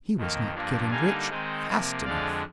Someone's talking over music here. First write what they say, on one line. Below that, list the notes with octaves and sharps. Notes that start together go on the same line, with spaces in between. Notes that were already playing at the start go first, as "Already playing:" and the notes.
He was not getting rich fast enough.
F2 D#3 A#3
G2 F3 A#3 D4
D3 G3 A#3 D#4 F5 G#5
D#3 G#3 C4 D#4
C3 F3 A#3
F2 D3 F3 G#3 D5 F5